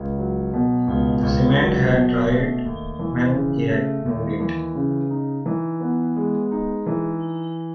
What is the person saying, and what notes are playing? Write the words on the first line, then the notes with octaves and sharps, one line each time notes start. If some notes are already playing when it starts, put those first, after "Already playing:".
The cement had dried when he moved it.
Already playing: C#2
F#3
B2
C#2
C#2
F#3
B2
A3
D#2
E3
C#3
A3
D#2
E3
C#3
D#4
E3
B3
G#3
D#4
E3